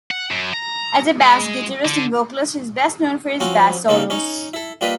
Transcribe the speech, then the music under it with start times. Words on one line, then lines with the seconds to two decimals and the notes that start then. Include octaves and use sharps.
As a bass guitarist and vocalist he is best known for his bass solos.
0.11 F#5
0.31 F#2
0.54 A#5
1.22 G#3
1.85 D3
3.40 F3 C4 C#4 F#4
3.88 C#3 A3 A#3 D#4 A4
4.10 C#4 D#4 C#5
4.54 E4 A4
4.81 G3 A#3 F4 G4 B4 D#5